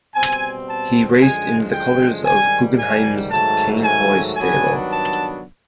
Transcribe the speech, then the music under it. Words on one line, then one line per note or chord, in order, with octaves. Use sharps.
He raced in the colors of Guggenheim's Cain Hoy Stable.
B2 G3 C4 G#5
A5
F#2 D3 F3 G#3 G#5
G5
G#2 D#3 G3 G#5
G#5
G#2 D#3 F#3 A3 A5
G#5
G2 D#3 F#3 B3 D4 G#5
A5